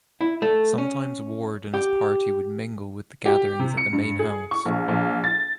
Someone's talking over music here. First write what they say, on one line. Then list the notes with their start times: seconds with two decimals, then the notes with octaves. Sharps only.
Sometimes Ward and his party would mingle with the gatherings at the main house.
0.21 E4
0.42 A3
0.78 C#4
1.74 G4
3.26 G4
3.59 C3
3.77 C#7
3.93 G2
4.19 G#4
4.51 C#6
4.65 A#1
4.88 A#1
5.24 A6